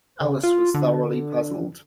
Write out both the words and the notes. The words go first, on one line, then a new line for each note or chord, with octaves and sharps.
Alice was thoroughly puzzled.
C#3
F4
D3